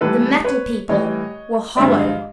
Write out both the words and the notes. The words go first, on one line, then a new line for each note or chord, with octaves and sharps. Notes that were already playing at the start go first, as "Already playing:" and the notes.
The Metal People were hollow!
A2 E3 G3 A4 B4
B4 C#5
A2 E3 G3 C#5 D#5
G2 D3 F3 G#3 D5 E5
D#5 F5